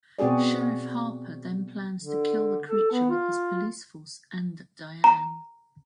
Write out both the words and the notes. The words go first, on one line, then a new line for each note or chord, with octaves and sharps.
Sheriff Harper then plans to kill the creature with his police force and Diane.
B2 C4 F#4 G#4 D5
D3
A4
B3
F4
A#5